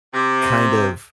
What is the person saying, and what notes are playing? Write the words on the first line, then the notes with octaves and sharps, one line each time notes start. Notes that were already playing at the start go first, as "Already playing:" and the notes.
kind of
C3